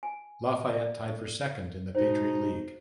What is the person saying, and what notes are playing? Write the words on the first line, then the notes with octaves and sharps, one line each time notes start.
Lafayette tied for second in the Patriot League.
G#5
D5
B2 G#3 D#4 C5